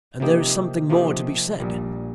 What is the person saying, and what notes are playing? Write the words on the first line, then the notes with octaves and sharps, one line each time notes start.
And there is something more to be said.
C3 F3 A#3 D#4 G4
C3 F3 A#3 D#4 G4
A#1 A#2 G3